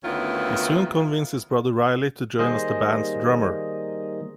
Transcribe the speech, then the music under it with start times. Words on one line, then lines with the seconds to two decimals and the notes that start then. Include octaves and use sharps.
He soon convinced his brother Riley to join as the band's drummer.
0.04 D2 D#3 B3 C#4 E4 F4
2.39 D#3 G3 A#3 G#4 C5 D#5